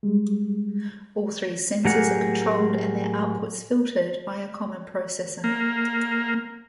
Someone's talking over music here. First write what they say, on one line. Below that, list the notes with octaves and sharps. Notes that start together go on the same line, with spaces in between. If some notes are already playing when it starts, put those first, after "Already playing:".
All three sensors are controlled and their outputs filtered by a common processor.
G3 G#3
A2 F#3 G4 G#4 A#4 F#5
A#3